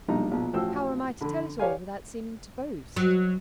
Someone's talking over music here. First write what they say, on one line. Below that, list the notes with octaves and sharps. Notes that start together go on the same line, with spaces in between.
How am I to tell it all without seeming to boast.
B1 A#2 G3 D4 D#4 A#5
A#1 B2
A1 F3 F#4 C5 G5 E6
D3 B5
G4 C#5 D5 F5 G#5
F#3